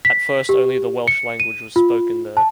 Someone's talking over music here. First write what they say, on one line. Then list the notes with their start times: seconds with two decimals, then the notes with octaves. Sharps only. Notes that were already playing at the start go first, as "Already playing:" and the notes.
At first, only the Welsh language was spoken there.
0.05 B6
0.49 G4
1.08 C#7
1.40 D#7
1.76 F4
2.37 A5